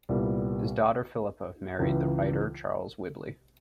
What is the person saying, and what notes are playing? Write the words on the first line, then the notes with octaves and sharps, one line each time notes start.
His daughter Philippa married the writer Charles Whibley.
C2 A#2 G3 B3
C#2 C#3 E3